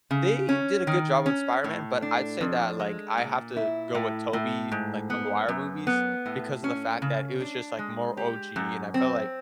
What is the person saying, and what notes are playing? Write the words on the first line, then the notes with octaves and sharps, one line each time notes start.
They did a good job on Spider-Man, but I'd say that, like, I have to go with Tobey, like, Maguire movies because of the fact that it was just, like, more OG, and I felt like,
C#3
C#4
D#3
C#4
A2
D4
F2
G#3
A#2
E4
A2
A2
G#2
B3
F#2
B3
A2
C#4
C#3
D4
G#3
G4
F#2
C4